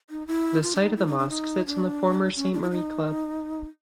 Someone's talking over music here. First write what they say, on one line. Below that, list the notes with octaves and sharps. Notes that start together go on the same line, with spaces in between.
The site of the mosque sits on the former Saint Marie Club.
D#4
E4
F4
D4
D#4
E4
D#4
D4
D#4
D4
C#4
D4
E4
D#4